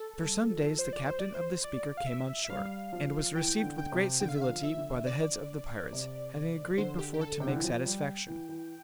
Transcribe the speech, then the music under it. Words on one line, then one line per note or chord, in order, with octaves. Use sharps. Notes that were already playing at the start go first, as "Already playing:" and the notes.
After some days the captain of the Speaker came on shore, and was received with great civility by the heads of the pirates, having agreed before to make satisfaction.
Already playing: A4
G3
F3
C5
D5
C5
D5
C5
D5
F5
E5
E5
G3 F5
F3
E3 G5
D3
G5
C3
D3 G5
F5
E5
F5
F3
E5
D3
D5
C3
D3 C5
G4
G4
A4
C3 G5
D3
E3
F3
G3
E3
E3